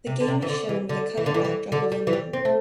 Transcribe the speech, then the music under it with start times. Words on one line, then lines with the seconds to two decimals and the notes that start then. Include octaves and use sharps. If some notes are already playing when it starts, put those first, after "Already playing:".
The game is shown with a colored backdrop of the moon.
0.07 C3
0.20 D3
0.28 C3
0.42 E3
0.49 D3
0.69 E3
0.89 D3
1.17 E3
1.26 D3
1.34 E3
1.45 E3
1.72 D3
1.92 G3
2.07 E3
2.13 G3
2.33 C4
2.45 A3